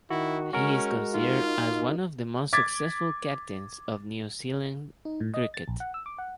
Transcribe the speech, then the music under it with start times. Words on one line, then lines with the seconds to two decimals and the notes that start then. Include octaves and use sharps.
He is considered as one of the most successful captains of New Zealand cricket.
0.10 D#3 E4 F#4
0.53 G#3 C#4 F#4 A#4
1.14 D#4 F4
2.53 D6 G#6 A6 B6
5.05 D#4
5.20 A2
5.34 D#5
5.54 A6
5.68 A#1
5.80 F#5
5.94 E6
6.06 D6
6.18 F#5